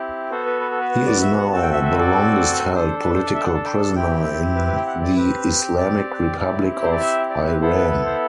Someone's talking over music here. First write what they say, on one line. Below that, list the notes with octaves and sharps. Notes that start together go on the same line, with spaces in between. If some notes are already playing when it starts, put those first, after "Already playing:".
He is now "the longest-held political prisoner in the Islamic Republic of Iran".
Already playing: C4 E4 G4
B3 F#4 A4 C5
B4
B4
A4
B4
D5
E5
F#5
C4 F#4 A4 A5
G5
E5
E5
D5
D4 A4 C5
B4
C5
D5
E5
G5
F#5
A5
G5
A5
C4 E4 G4 G5
B4
B4
G5
F#5
D5
C4 G4 B4
D5
C4 E4 G4
C5
D5
E5
D5
B4
B3 E4 A4 C5
B4
B4
C5